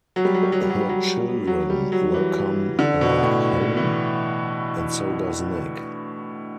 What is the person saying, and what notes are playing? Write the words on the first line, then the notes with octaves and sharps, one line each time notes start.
Her children welcome her home, and so does Nick.
F#3
G3
F#3
G3
F#3
G3
F#3
G3
F#3
F#3
G3
F#3
E3
D3
B2
A2
E3